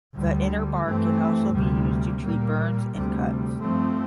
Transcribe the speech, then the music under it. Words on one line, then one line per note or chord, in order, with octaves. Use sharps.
The inner bark can also be used to treat burns and cuts.
D2 D3 G3
G2 E3 A3 C4
D2 C3 G3 A#3
A#2 G3 A#3
D2 C3 G3
G2 F3 A3 C4